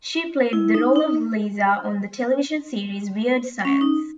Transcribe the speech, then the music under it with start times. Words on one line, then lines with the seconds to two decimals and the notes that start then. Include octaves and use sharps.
She played the role of Lisa on the television series "Weird Science".
0.53 E4
0.74 D#4
0.96 D#4
3.65 C#4
3.81 D#4